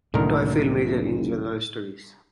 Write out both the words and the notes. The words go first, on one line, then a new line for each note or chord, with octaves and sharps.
Toefield majored in general studies.
F#1 C2 A2 D3 D#3 A#4